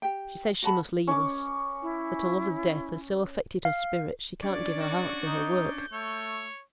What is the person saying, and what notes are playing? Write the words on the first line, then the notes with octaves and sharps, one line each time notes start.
She says she must leave us; that her lover's death has so affected her spirits she can't give her heart to her work.'
G4 G5
F#4 F#5 A5 B5
C#4 D6
E4
F5
C#4 D4 D5
F#4
D#4 G6
A3 C#5